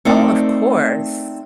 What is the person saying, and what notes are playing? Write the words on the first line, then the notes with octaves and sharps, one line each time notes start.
Oh, of course.
A3 C4 D#4 A#4 D5